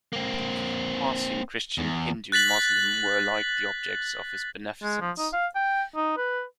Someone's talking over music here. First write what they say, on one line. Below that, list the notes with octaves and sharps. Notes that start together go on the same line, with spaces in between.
Parsi and Christian, Hindu and Muslim, were alike the objects of his beneficence.
A#3 C4
E2
F#6 A6 B6 F#7
G#3
F3
D#4
F5
G5
D#4
B4